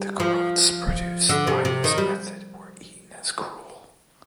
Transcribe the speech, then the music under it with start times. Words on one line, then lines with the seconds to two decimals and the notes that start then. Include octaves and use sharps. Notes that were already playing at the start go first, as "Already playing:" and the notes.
The groats produced by this method were eaten as gruel.
Already playing: G3
0.20 F3
1.29 D3
1.47 C3
1.65 C3
1.84 D#3
1.98 G3